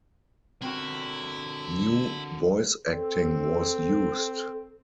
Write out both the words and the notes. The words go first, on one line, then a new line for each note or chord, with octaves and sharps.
New voice acting was used.
D3 C4 E4 F#4 A#4
C4 A4